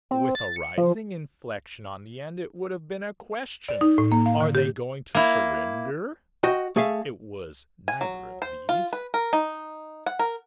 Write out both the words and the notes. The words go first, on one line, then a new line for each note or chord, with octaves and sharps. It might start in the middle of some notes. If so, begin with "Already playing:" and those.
With a rising inflection on the end it would have been a question. "Are they going to surrender?" It was neither of these.
C4
A6
C#7
F3
D5
D#4
A2
A#3
F5
D3
G4
A#3 E4
F#4 D#5 G5
A3 G#4 E5 F5
G#5
F#3
C5
F4
B4
A#4
D#4
F#5
A#4